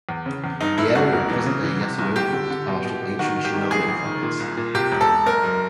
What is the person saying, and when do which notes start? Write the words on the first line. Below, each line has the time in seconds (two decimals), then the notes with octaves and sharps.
The area of present-day Yasuoka was part of ancient Shinano Province.
0.09 E2
0.26 C#3
0.44 E2
0.61 G2 D#4
0.78 G2 E4
0.95 G#1 F#4
1.12 E1
1.30 E3
1.46 C#3
1.64 E3
1.81 C3
1.99 C2
2.16 G1 G4
2.33 D3
2.50 D3
2.68 B2
2.85 B2
3.02 B2
3.19 D#3 F#4
3.36 D#3
3.45 G4
3.54 G#1
3.71 A#1 G#4
3.88 A#1
4.05 D#3
4.23 A#2
4.40 C2
4.57 A#2
4.75 C3 G4
4.92 E1
5.01 A4
5.09 E1
5.26 F#1 A#4
5.44 F#2